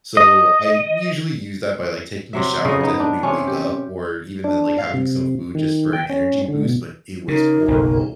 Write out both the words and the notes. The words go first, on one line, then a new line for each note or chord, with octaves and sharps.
So I usually use that by, like, taking a shower to help me wake up or even then, like, having some food just for an energy boost, but it was horrible.
D#5
C3 F#3 E5
C#3 D#5
B3 D#4
D4
C3 C#4
G4
D4
F5
C3
D#3
G5
C#4
D3
B2
C#3 D#4 A#4
F#1 B1